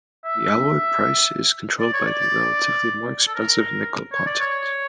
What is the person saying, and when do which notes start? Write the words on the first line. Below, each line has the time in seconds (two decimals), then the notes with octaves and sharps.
The alloy price is controlled by the relatively more-expensive nickel content.
0.25 E5
1.80 D5
1.93 C#5
2.07 D5
3.27 A4
3.35 A#4
4.12 C#5
4.26 D5
4.40 C#5